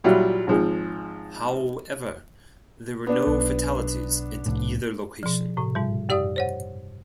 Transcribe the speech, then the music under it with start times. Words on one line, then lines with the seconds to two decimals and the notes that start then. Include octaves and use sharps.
However, there were no fatalities at either location.
0.04 A#2 F#3 G3 E4 F4
0.47 G#1 F3 G#3
3.07 B3 D4
3.27 B1
4.46 C2 A2
5.23 B2 F3
5.57 A2 C3
5.75 G#2 B2 G3
6.09 F#2 G4 D5 F5 D#6
6.36 C5 C#5 F#5